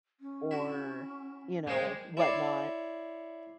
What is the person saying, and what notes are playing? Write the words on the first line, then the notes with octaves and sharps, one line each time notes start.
or, you know, whatnot,
C#4
E4 F#4
G#3 A#3 C5 G5
E4 C#5 D5 C6